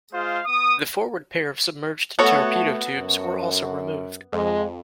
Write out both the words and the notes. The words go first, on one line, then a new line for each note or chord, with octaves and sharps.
The forward pair of submerged torpedo tubes were also removed.
G#3 F4 G#4 C5 F5
B3 D#6
A3 B3 F#4 A4 C#5 F#5
F#2
F2 G#3